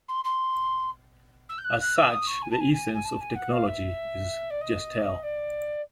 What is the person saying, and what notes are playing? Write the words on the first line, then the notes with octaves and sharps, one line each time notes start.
As such, the essence of technology is "Gestell".
C6
C6
E6
G6
F#6
F#6
E6
D#6
C#6
G#5
A5
G#5
G#5
G#5
A5
G#5
F#5
F5
E5
D5
D#5
D5